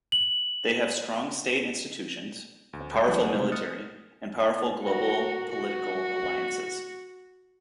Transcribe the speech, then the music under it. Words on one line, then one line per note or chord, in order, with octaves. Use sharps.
They have strong state institutions, a powerful military and powerful global political alliances.
F#7
D2
C#2
C#2 E3 F#3 G3 B4 F#5
C#3 A3 C#5 F#5 E7
C3 G3 A3
D#6 F6 F#6 A6 C#7
F#4 A#4
F#4